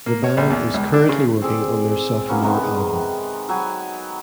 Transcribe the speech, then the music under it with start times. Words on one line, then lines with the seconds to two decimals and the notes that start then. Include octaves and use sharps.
The band is currently working on their sophomore album.
0.06 A#3
0.24 C#5
0.37 A#1
0.50 E2
0.74 C#2
0.94 D4
1.09 C#3
1.41 C4 G#4 A4 D5
2.28 F#3 A#3 B3 C#4
2.42 C3 D#3 G#3 B3
3.49 F#3 G#5 B5